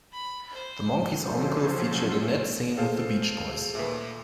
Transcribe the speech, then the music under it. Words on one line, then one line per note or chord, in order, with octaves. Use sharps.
"The Monkey's Uncle" featured Annette singing with the Beach Boys.
B5
C5
F3 F#3 C#4 A4 C5
G#4 A4 C5 F5
D#2 A#2 A3 B4